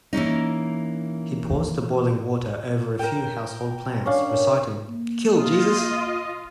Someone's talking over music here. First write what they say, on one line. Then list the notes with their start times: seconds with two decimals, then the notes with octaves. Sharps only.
He pours the boiling water over a few household plants, reciting "Kill Jesus".
0.13 E3 A#3 C#4 D#4
2.99 A#4 G5
4.06 C#4 D4 F5
4.89 A#3
5.38 F4 D#5